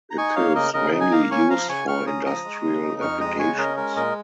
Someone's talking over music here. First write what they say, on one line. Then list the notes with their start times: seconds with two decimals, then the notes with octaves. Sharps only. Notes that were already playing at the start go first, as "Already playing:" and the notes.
It is mainly used for industrial applications.
0.11 A#5
0.18 D#4 G#5 C#6
0.36 A#3 C#5 F5
0.55 C#3 A#4 D#5
0.74 C#3 A#4 D#5
0.93 D#4
1.01 G#5
1.12 A#3 F5 A#5
1.31 C#4 G#5 C#6
1.49 F3 F5 A#5
1.69 C#3 G#5 C#6
1.87 C#3 C#6 F6
2.07 C#4 A#5 D#6
2.25 F3 A#5 D#6
2.44 G#3
2.64 C#3
2.82 D#4
3.01 F2 C#6 F6
3.20 G#3 A#5 D#6
3.39 C#3 G#5 C#6
3.58 C#4 A#4 D#5
3.77 G#3 A#4
3.96 A#2 A#4 D#5